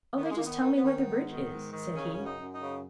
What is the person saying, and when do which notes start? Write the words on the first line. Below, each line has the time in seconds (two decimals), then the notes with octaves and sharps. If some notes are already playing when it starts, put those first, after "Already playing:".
"Only just tell me where the bridge is," said he.
0.16 D#3 B3
0.24 A#3
0.30 G#3
0.37 D#3 A#3
0.45 B3
0.60 D#3
0.75 B3
0.83 D#3 C#4
0.96 B3
1.06 G#2
1.27 D#3
1.50 G#2
1.72 D#3
1.94 C#3 C#4
2.13 F#2 C#4
2.24 D#4
2.39 F#2
2.53 D#4
2.61 C#3